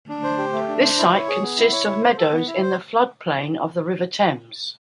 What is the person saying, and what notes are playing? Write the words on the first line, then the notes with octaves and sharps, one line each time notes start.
This site consists of meadows in the floodplain of the River Thames.
D4
C5
G4
A3
D4
C5
E4
C#5
G#4
B3
E4
C#5
E4
C5
A4
B3
E4
C5